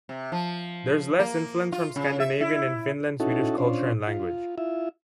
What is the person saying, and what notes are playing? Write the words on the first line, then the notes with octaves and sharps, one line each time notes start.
There is less influence from Scandinavian and Finland-Swedish culture and language.
C3
F3
A#3
F4
C#3
E5
E4
C#4 D#4 E4 F#4 A4
C#4 D4 F4 C5
F4
E4 F4 E5